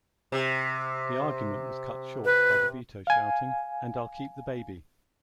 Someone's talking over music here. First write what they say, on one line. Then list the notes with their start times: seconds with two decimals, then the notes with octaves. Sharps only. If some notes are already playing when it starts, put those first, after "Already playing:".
The argument was cut short by DeVito shouting ...And I'll keep the baby!
0.32 C3
2.25 B4
3.07 F5 G#5